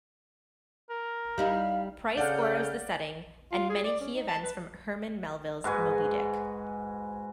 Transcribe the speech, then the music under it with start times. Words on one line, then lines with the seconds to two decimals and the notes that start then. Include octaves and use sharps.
Price borrows the setting and many key events from Herman Melville's "Moby-Dick".
0.90 A#4
1.38 G3 D#4 E4 F5
2.17 C#3 A4 D5 F5 F#5 F6 G6
3.52 F4
3.69 G#4
3.84 D5
4.00 C#4
4.15 D#4
4.28 A5
4.43 B4
5.64 G#2 F#4 B4 G#5